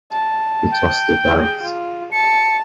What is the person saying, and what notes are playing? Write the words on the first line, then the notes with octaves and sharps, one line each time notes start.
He tosses the dice.
A5
G5
G#4
F4
A5 C#7